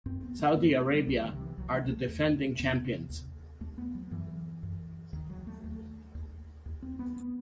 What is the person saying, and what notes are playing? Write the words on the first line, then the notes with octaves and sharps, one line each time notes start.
Saudi Arabia are the defending champions.
F#2 C4
B3
A3
F#2 B3
C4
B3
G3
C2 F#3
D#3
C3
E3
C2 F#3
A3
C3
A3
E2
C3
E2 B3
C3
D#2
D#2 A3
B3
F#3
F#2 E3
F#2
D#2 D#3
F#3
A3
D#2
D#2
D#2
C4
B3
B3